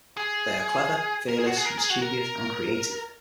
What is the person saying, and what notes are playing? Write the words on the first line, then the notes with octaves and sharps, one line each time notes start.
They are clever, fearless, mischievous and creative.
G#4
A#4
G#4
F#4
G#4
A#4
G#4
F#4
A#4